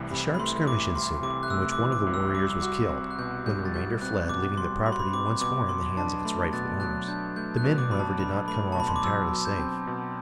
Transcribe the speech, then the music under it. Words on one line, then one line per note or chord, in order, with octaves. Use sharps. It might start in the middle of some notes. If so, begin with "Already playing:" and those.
A sharp skirmish ensued in which one of the warriors was killed, when the remainder fled, leaving the property once more in the hands of its rightful owners. The men however did not come off entirely safe.
Already playing: C2 C3 E3 A3
C3 B5
B5
A3 C6
E3 D6
C2 C6
C3 D6
F#6
A3 E6
D6
E3
D6
C2
E6
G3 D6
E6
F#4 D6
C4
F#6
B2 G6
G3 G6
A6
F#4 G6
C4 F#6
B2 D6
G3 C6
F#4 B5
C6
B5
C4 D6
B2 D6
F#3 C6
D4 A5
A3 B5
B2 F#6 A6
F#3 F#6 A6
D4 G6
A3 G6
F#6
B2
D6
F#3 B5
A5
D4 B5
A3 B5
A5
B2 B5
C6
D6
F#3 E6
B2
G6
C4
B2